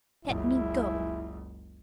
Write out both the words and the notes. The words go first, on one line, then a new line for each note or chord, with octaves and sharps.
"Let me go."
F#1 C#2 E4